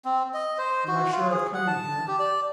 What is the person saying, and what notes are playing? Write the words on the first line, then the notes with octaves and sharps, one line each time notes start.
"Am I sure of coming here?"
C4
D#5
C5
F#4
F4
G#4
F#5
A5
G4
D5